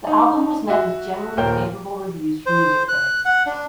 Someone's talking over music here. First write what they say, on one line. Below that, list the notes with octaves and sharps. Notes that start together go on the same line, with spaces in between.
The album was met with generally favorable reviews from music critics.
D#4
F#4 E5
D#1 A#4 C5 C#5 G5
C5
F#6
F#5
D4